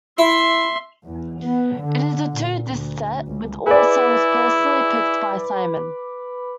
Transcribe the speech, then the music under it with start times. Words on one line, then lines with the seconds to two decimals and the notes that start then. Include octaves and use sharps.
It is a two-disc set with all the songs personally picked by Simon.
0.18 E4 E5 C6
1.05 E2
1.43 B3
1.79 D3
2.31 A#2
2.67 D2
3.28 C#2
3.66 E4 G#4 B4 D5 B5 D6